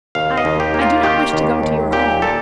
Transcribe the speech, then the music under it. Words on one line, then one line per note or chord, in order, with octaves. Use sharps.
"I--I do not wish to go to your home."
D#2 F5
D#5
D#2
G4
A#3
F4
D#3 G4
D#2
D#2
A#2 G4
A#2 A4